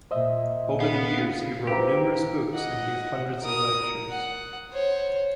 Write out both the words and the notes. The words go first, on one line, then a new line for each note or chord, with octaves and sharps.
Over the years he wrote numerous books and gave hundreds of lectures.
A#2 C5 D#5 E5
B3 F5
C4 G4 B4 F5 A#5
D#5 F#5
A#4 D#6
F#5
C5 C#5